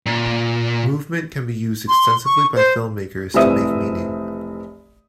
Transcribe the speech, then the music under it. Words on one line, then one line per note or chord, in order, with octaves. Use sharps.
Movement can be used extensively by film makers to make meaning.
A#2
C6
C#6
C5
F1 E3 C4 E5 D#6